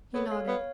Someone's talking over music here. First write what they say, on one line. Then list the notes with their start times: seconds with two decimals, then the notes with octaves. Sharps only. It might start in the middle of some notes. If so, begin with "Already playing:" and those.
He nodded.
0.14 B3 A4 C#5
0.31 C#5 F5
0.48 B3 C#5 F5